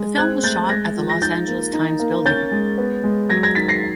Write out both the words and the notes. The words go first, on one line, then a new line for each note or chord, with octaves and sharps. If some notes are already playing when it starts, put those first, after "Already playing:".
The film was shot at the Los Angeles Times Building.
Already playing: G#3
C4 F#6 G#6
A3 G6 A6
G#3 G#6 A#6
F3
A#6
D#4 G6 A6
A#3
D#4
A#3
C#4 G6 A6
G#3
B3
G#3
F#3 G#6 A#6
G#6 A#6
D#3 A6 B6
A#6 C7